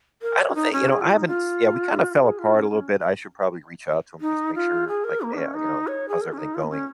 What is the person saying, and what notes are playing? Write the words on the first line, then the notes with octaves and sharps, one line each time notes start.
I don't thi you know, I haven't Yeah, we kinda fell apart a little bit, I should probably reach out to him just to make sure, like, "Hey, uh, you know, how's everything going?"
A#4
C#5
C#4
D#4
C#4
G#4
F4
D#4
F4
G#4
F4
C#4
C#4
D#4
F4
G#4
A#4
A#3
D#4
C#4
D#4
C#5
G#4
A#4
C#4
D#4
F4
A#3
C#4